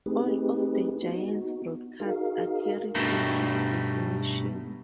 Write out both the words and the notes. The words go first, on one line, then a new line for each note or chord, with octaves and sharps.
All of the Giants broadcasts are carried in high definition.
A3 C4 D#4 G4 G#4 B4
B3 D#4 F#4
D#4 F#4 G#4 A#4 F5
G2 B2 A3 D#4